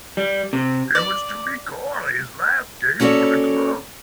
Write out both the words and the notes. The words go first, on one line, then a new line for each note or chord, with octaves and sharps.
It was to be Chorley's last game for the club.
G3
C3
D5
A#3 C#4 F#4 A4 C#5 D5